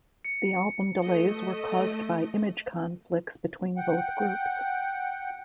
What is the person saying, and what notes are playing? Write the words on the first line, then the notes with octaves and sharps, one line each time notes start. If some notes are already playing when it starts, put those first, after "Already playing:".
The album delays were caused by image conflicts between both groups.
C#7
A3 D#5
F#5 G5